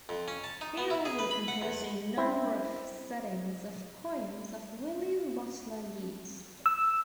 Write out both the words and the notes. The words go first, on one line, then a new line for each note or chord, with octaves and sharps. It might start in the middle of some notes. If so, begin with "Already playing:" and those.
He also composed a number of settings of poems of William Butler Yeats.
F2
C#4
A5
D#4
B3
E4
G#4
B4
B5
F#5
E2
C4 E4
E6